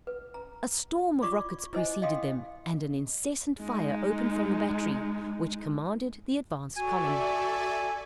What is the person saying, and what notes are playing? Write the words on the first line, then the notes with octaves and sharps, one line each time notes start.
A storm of rockets preceded them, and an incessant fire opened from the battery, which commanded the advanced column.
B4
A#5
F4 D5 C#6 D6
E4 C5 D#5 G#5
D#5 F5 G5 C6 D#6
G#3 D#4
F#4 A4 D5 E5 G#5